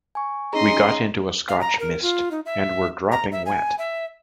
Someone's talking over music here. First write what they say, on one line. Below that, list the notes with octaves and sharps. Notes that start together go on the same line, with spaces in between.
We got into a Scotch mist, and were dropping wet.
G#5 C#6
C#4 D#4 G#4 D#5 A#5 C6
F5
A#5
A#4
F4
D#4
E5
A#5
E5
G#5
E5